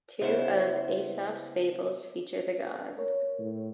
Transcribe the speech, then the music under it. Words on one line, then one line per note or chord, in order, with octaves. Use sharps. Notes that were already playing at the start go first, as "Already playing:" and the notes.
Two of Aesop's fables feature the god.
C#3 B3 E4 C5 E5
A#4 C#5
A2